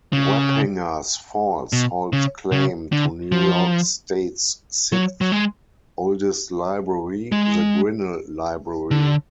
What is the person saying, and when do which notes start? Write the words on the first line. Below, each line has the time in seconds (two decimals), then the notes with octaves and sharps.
Wappingers Falls holds claim to New York State's sixth oldest library, the Grinnell Library.
0.13 C#3
1.73 B2
2.13 C#3
2.52 C#3
2.92 D3
3.32 F3
4.92 F#3
5.21 F#3
5.32 G#3
7.32 G#3
8.91 D3